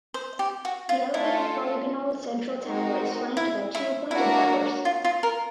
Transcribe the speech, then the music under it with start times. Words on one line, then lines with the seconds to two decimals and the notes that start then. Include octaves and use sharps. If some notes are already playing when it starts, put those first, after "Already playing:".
The elevated polygonal central tower is flanked by two pointed towers.
0.14 C5
0.39 G4
0.65 F#4
0.89 F4
1.13 A3 C#4 E4 F4 A4 C#5
2.62 C4 D#4 F#4 A#4
3.37 E4
3.75 E4
4.11 A#3 D4 E4 F#4 A#4 C#5
4.85 F4
5.05 F4
5.23 A#4